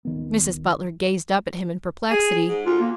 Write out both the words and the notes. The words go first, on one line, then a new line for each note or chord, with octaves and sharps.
Mrs. Butler gazed up at him in perplexity.
D#1 D#3 B3
G#4
G#2
D2 F4
A#3